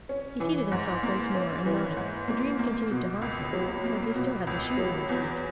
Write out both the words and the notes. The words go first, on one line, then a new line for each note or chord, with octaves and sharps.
He seated himself once more and nodded: the dream continued to haunt him, for he still had the shoes on his feet.
C#4
E3
G#2
A#3
C#4
E3
G#2
A#3
A#3
B2
C#2
F#3
A#3
B2
C#2
F#3
E2